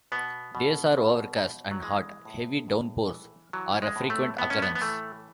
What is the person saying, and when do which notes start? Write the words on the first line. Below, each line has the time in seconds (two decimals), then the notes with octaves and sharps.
Days are overcast and hot; heavy downpours are a frequent occurrence.
0.12 B2 B3
0.55 B2
0.97 B2
1.40 B2
1.71 F#3
1.82 E3 G#3
2.25 A2
2.68 A2
3.11 E3
3.53 E3 F#3
3.82 G#3
3.96 A2
4.10 A3
4.38 A2 B3
4.50 C#4
4.62 B3
4.75 B3
4.81 E3 A3